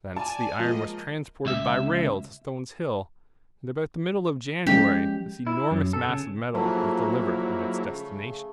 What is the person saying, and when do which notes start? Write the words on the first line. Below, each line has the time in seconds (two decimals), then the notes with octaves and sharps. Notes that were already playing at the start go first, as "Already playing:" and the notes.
Thence the iron was transported by rail to Stones Hill, and about the middle of January this enormous mass of metal was delivered at its destination.
0.16 D5 G#5 A5
0.59 F3 G#3 A#3 D#5
1.46 C#2 E5
4.67 F3 G#3 C#4 G4
5.47 E4
5.71 F#2
5.93 A4
6.08 C#3
6.55 G#2 F3 F#3 A3 A#3 E4
7.88 C#3